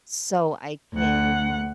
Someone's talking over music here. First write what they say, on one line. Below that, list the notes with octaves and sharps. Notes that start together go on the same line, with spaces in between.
so I can
D2 F#5